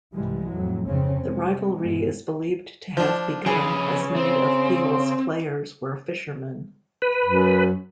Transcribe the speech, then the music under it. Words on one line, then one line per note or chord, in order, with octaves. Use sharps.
The rivalry is believed to have begun as many of Peel's players were fishermen.
C2 G#2 E3 G3 G#3
F2 A2 F#3
F2 G#2 C#3 C4 C#4
C3 G#3
G2 B2 G#3
F3 D4
C#3 F3 G#4 B4
C4
B4
F#2